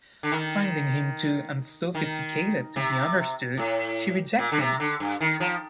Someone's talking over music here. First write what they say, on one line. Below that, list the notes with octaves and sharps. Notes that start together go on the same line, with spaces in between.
Finding him too unsophisticated to be understood, she reject him.
D3
D#3
D#3
C3
A2
A#2
D3
C3
D3
G2
D#3
F3